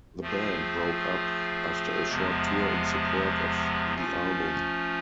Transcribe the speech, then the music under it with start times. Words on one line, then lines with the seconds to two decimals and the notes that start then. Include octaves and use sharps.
The band broke up after a short tour in support of the album.
0.22 F3 A3 C4 F4 G#4
2.09 E2 C3 F3 G#3 B3
3.95 F3 A3 C#4 F4